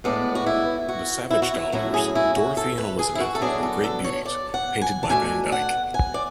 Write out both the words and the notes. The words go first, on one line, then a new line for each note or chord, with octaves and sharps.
The Savage daughters, Dorothy and Elizabeth, were great beauties, painted by Van Dyck.
A2 G#3 B3 D4 D5
F#4
E4
F#4
E4
F#4
E4
A2 F#3 C#4 E4 F#4
G#4
E4
F#4
A4
B4
G#4
E4
F#4
A4
F#3 B3 D4 G#4
A4
A4
C#5
D5
F#5
G#5
A5
B2 A3 D4 G#5
F#5
G#5
D5